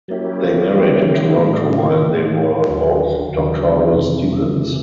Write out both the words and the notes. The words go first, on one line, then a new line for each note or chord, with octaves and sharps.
They married in Toronto while they were both doctoral students.
F#3 A#3 C#4 E4 G4
F#3 A#3 C#4 E4 G4
A2 E3 A3
A2 E3 A3
D#2 D3 F#3
D#2 D3 F#3
F2 C3 E3
C3 E3